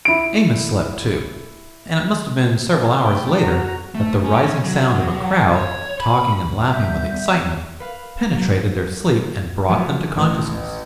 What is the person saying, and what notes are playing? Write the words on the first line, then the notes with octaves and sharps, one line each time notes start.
Amos slept too, and it must have been several hours later that the rising sound of a crowd talking and laughing with excitement penetrated their sleep and brought them to consciousness.
E4 D7
A3 G5
F#4 A#5
A3
C#4
F#3
C#5
B5
G3 B3 E5 G6
B4 F5
F#3
F3 F#3 A3 B3 F4
A1